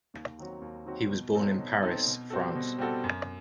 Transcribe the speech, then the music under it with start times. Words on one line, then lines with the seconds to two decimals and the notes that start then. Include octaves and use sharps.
He was born in Paris, France.
0.14 D#2
0.39 D#3 F#3 C4 F#4
0.62 D#2
0.86 D#3 F#3 C4 F#4
1.10 B2
1.34 F#3 C4 D#4 A4
1.58 B2
1.82 F#3 C4 D#4 A4
2.07 B2
2.30 G3 C4 F#4 A4
2.55 B2
2.78 G3 C4 F#4 A4
3.04 F#2